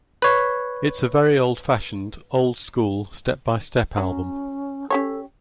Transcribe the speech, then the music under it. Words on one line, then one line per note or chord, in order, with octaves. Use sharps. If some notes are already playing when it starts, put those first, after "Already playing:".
It's a very old-fashioned, old-school, step-by-step album.
B4 C#5
F#3 C#4
C#4 G4 A4 C#5